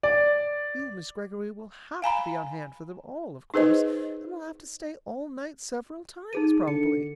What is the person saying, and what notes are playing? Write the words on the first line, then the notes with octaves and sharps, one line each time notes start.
You, Miss Greggory, will have to be on hand for them all, of course, and will have to stay all night several times, probably.
D5
F5 G#5 A#5 B5
D#4 G#4 B4 C5 D#5
D#4 G#4 D#7
D3 C#7